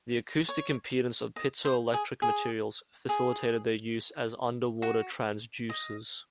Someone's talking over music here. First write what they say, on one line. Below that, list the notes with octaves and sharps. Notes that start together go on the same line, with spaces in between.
The acoustic impedance of piezoelectric materials facilitated their use as underwater transducers.
C#5
D#5
C5
G#4
G#4
G#4
F#4
D#5